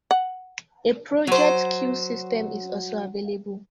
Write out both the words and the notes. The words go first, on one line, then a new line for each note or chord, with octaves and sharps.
A project queue system is also available.
F#5
F#3 C5